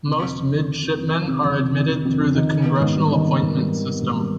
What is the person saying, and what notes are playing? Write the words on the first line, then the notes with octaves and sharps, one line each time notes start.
Most Midshipmen are admitted through the congressional appointment system.
C3
F2
F2
D#3
C3
F2
F2
D#3
C3
F2
F2
D#3
C3
F2
F2
D#3
D#3
B3
G#2
G3
D#3
B3
G#2
G3
D#3
B3
G#2
G3